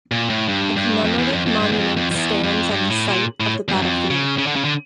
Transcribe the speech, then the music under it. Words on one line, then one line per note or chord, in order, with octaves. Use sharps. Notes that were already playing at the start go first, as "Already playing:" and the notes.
A commemorative monument stands on the site of the battlefield.
A#2
A2
G2
G2
F2
E2
F2
F2
G2
E2
F2
F2
F2
E2
F2
G2
A2
A#2
A2
E2
G2
F2
C#3
C#3
D3
C#3
D3